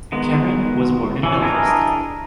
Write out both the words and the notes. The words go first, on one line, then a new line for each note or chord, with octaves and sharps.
Cameron was born in Belfast.
D#3 G#3 B3
E3 C#4
D4 E4 G#4 A#4 D#5